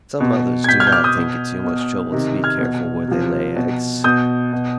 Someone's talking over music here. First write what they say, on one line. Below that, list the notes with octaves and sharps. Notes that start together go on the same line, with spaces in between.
"Some mothers do not think it too much trouble to be careful where they lay eggs."
B2
G#6
B2 G6 B6
F6 G#6
G6
D6 F6
D#6 G6
B2
B2
C3 D#3
F6 G#6
B2
C3 F3
B2
B2 D#6 G6
B2